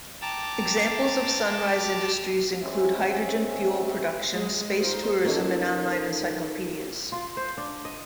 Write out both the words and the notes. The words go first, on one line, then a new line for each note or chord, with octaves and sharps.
Examples of sunrise industries include hydrogen fuel production, space tourism, and online encyclopedias.
G5 A5 A#5 D6 A6
G#3 C4 C#4 E5
G#3
D#4 F4 C5
A#3 C#4 D#4 F4 A4
F4
C5
D4
D#5